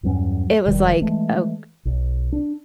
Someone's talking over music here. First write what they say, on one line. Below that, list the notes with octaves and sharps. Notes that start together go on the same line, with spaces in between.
it was like, ok
E2 G2 F#3 C#4
E1 D#3 G3
E3 G#3 A3
B1
D4